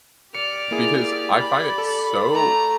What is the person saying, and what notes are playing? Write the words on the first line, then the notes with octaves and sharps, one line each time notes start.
Because I find it so
G4 D5 D6 F6 C#7
A#3 E4 G#4
B5
A4
A3 A#5